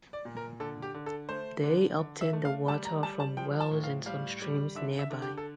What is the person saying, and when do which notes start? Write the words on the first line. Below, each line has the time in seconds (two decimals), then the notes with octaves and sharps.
They obtain the water from wells and some streams nearby.
0.13 D5
0.25 A#2
0.37 A#4
0.60 D3 A4
0.82 G4
0.94 D3
1.06 A4
1.29 A3 C5
1.64 D3
1.98 D3
2.21 E5
2.33 A3
2.45 F5
2.68 G3 A5
2.85 A#5
3.03 G3 A5
3.20 A5
3.37 F3 G5
3.60 A5
3.71 A2
3.84 F5
4.06 G3 F5
4.42 G3
4.75 D3 E5
4.99 E5
5.10 D3
5.22 G4
5.38 A4